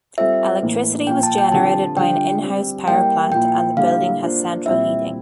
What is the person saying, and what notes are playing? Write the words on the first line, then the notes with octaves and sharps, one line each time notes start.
Electricity was generated by an in-house power plant and the building has central heating.
G3 C4 F4 A4 C5 E5
A2 E3 A#3
A#2 F3 A#3 F4 G5
A5
G5
D3 F3 C4 G4 A5
D3 G3 D4 F4 G5
G3 C4 G4
G3 A#3 E4 A#4 D5 G5
A#2 F3 A#3 E4 G5
D3 G3 A#3 E4 G4 F5
A#3 D4 F4 C5
A#2 G3 C4 E4 E5